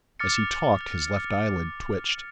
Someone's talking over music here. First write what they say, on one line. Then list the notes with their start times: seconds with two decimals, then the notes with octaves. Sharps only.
As he talked his left eyelid twitched.
0.19 D6 F6 A6 C#7